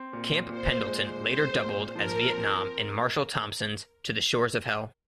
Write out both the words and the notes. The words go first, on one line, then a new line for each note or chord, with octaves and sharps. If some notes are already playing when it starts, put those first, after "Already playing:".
Camp Pendleton later doubled as Vietnam in Marshall Thompson's "To the Shores of Hell".
Already playing: C4
A#2
A#2 C5
G#3
C4 C5
A#2
F3 A#4
C4